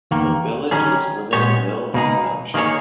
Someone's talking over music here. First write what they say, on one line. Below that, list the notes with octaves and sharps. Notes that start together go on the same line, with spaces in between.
The village is within Mills Township.
E2 D#3 A#3
D#3 G3 C#4 G#4
A#2 G#3 B3 G4 C#5
C#2 B2 A#3 D#4 G#4
D#3 A#3 D#4 G#4 C#5